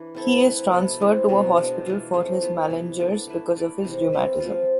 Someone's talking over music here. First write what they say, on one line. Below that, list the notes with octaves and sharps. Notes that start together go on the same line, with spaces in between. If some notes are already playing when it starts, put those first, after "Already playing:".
He is transferred to a hospital for malingerers because of his rheumatism.
Already playing: E3 D4
C4 E4 A4
A3 C4 E4 B4
B2 B3 E4 A4
E3 G#3 C4 E4
B2 G#3 C4
B2 G#3 D4
E3 G#3 D4 F4
A3 C4 G#4 C5
F3 B3 E4 B4
C3 E3 B3 E4
B3 D4 A4
A3 E4 B4 E5
A3 E4 B4 D5
C3 E3 G#3 C4
C4 E4 B4 E5
F3 G#3 C4 F4